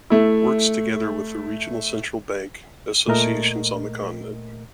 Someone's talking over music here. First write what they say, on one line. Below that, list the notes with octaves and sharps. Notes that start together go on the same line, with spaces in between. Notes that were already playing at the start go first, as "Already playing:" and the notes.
Works together with the Regional Central Bank Associations on the Continent.
A3 E4
A#2 A3 A#4 D#5